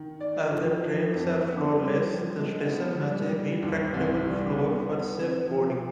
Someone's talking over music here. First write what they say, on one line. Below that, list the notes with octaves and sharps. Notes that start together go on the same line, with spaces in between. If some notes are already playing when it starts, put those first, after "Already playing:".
As the trains are floorless, the station has a retractable floor for safe boarding.
Already playing: D#3
D5
F3
F3
F2
B3
G3
F3
G#3
B3
G3
G3
D#2
C2
G3
B3
B3
C4
F3